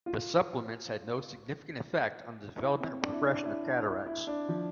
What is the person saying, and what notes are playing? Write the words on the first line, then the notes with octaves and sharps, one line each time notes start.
The supplements had no significant effect on the development or progression of cataracts.
F4
E4
C4
D4
E4
D4
E4
D4
E4
E4
D4
F3